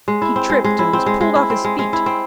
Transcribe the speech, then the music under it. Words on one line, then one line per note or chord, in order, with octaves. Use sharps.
He tripped and was pulled off his feet.
G#3
E4
C4
G#3
G#3
E4
C4
G#3
G#3
E4
C4
G#3
G#3
E4
C4